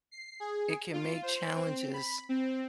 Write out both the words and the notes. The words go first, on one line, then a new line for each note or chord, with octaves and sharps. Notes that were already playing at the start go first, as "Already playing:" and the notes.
it can make challenges
C7
G#4
F4
C5
C4
B5
C4